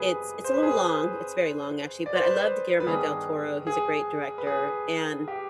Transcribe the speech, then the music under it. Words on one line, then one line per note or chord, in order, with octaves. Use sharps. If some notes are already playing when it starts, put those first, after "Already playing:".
it's it's a little long, it's very long, actually, but I loved Guillermo del Toro, he's a great director, and
Already playing: F2 C3 G3 B3 G#4 B4
C5
B4
G#4
B4
D5
C5
B4
C5
B4
G2 D#3 B3 G#4
G#4
B4
G#4
G4